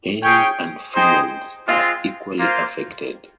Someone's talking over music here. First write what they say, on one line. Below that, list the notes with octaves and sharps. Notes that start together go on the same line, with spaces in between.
Males and females are equally affected.
C#4 G#4 C#5 G5
D#4 G#4 C5 D#5 G5
G#3 C4 F4
A#3 F4 C5